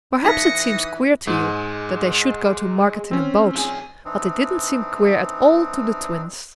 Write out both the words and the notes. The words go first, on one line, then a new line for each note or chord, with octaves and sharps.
Perhaps it seems queer to you that they should go to market in a boat, but it didn't seem queer at all to the Twins.
E3 D#4 F5 D#6 A#6 C#7
G#2 G#3
C4 C#4
F3 G#4
E3 C4 D4 D#4